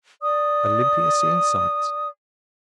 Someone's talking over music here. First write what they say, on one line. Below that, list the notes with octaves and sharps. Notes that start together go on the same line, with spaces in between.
Olympia seeing sights?
D5 D#6